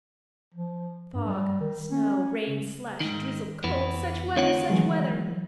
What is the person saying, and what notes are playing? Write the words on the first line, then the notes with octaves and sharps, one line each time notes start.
Fog, snow, rain, slush, drizzle, cold--such weather! such weather!
F3
G2
G3
D#3
C#4
C#3
G#2 D#3
F2 E3 B3
D2 D#3 C4 F4 C#5 F#5
E3 F#3 G#3